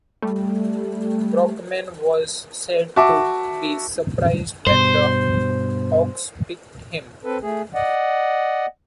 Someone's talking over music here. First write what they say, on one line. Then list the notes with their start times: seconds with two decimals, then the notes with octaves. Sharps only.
Brockman was said to be surprised when the Hawks picked him.
0.22 G3 A3
2.96 F#4 E5 A5 D6
4.67 G2 B2 C5
7.24 C4 A4 B4
7.42 A3 G#4
7.74 D5 D#5 F#5